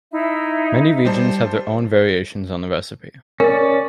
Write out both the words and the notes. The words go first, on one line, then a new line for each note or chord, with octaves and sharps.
Many regions have their own variations on the recipe.
D#4 E4 E5
G3 C5 A5
C#4 A#4 D5